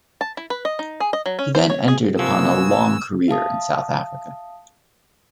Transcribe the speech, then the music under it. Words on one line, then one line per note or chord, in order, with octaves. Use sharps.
He then entered upon a long career in South Africa.
A5
E4
B4
D#5
D#4
G#4
D#5
F#3
C#4
C5
C#5
G#4
C3 F3 A#3 B3 F#4 G#5 E6
E5 F5 A5 D#6